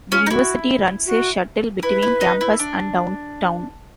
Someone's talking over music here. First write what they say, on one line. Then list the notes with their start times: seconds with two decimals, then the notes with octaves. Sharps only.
The university runs a shuttle between campus and downtown.
0.11 C#4 F4
0.26 D#4
0.30 E4 F#4
1.06 F#4
1.83 E4 B4
2.02 E4
2.21 D#4
2.41 E4
2.59 D4